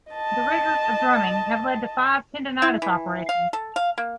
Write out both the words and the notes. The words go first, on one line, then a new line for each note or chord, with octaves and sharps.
The rigors of drumming have led to five tendonitis operations.
D#5 A5
E4
E3
F5
A4
F5
A#3